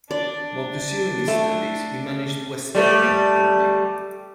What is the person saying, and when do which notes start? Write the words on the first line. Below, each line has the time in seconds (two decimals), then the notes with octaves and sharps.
While pursuing his studies, he managed the Westetner Company.
0.11 D4 D5
1.28 A3
2.75 G3 A3